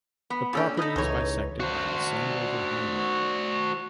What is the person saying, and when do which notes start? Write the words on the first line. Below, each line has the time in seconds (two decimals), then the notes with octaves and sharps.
The property is bisected by the Sandover Highway.
0.30 B3
0.53 A#2 C#4 D4 G#4 A4 G5
0.77 D#4 A4 D#5 B5
0.96 C#2 E3 D#4 C#5
1.60 F#4 C5